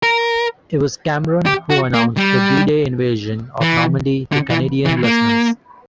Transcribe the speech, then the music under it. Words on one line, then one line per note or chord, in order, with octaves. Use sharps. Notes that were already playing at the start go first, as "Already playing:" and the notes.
It was Cameron who announced the D-Day invasion of Normandy to Canadian listeners.
A#4
G4
F#4
A#3
G3
E3
D3
E3
E3
A#3